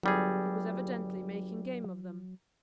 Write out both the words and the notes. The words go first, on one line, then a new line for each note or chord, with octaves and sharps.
He was evidently making game of them.
G1 F#3 G3 G#4